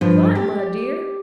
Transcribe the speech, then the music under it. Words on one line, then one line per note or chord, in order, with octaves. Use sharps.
"Why, my dear!"
G2 F3
G4